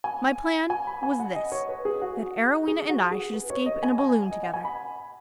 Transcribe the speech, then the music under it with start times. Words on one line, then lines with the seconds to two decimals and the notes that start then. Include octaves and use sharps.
My plan was this--that Arowhena and I should escape in a balloon together.
0.04 G#5
0.70 G#5
0.87 B5
1.03 G#5
1.20 F#5
1.35 D#5
1.52 C#5
1.69 B4
1.85 G#4
2.02 F#4
2.67 G#4
2.89 F#4
3.11 G#4
3.33 B4
3.50 C#5
3.66 D#5
3.83 G#5
3.99 G#5
4.31 D#5
4.43 F#5
4.54 G#5
4.65 B5